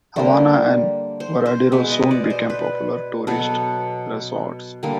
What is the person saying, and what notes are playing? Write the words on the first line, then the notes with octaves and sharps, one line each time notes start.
Havana and Varadero soon became popular tourist resorts.
D3 G3 A#3 C5
C5
C5
B2 G#3 B3 E5
D#5
D5
C5
B4
B2 F#3 B3 A4
D3 G3 A#3